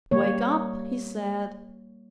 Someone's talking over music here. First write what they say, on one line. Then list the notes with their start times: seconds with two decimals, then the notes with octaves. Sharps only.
"Wake up!" he said.
0.11 G3 A#3 C#5